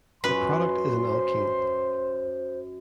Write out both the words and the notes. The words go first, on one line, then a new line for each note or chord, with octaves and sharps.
The product is an alkene.
F#2 B4 C6
C5